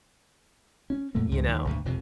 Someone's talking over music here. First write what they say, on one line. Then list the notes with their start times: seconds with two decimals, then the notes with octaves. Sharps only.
you know,
0.90 C#4
1.15 F#2 A#2 A3 A#3
1.31 C#2 G#2 C#3
1.48 D#2 D#3
1.65 G#1 D2 B2
1.85 E1 F2 C3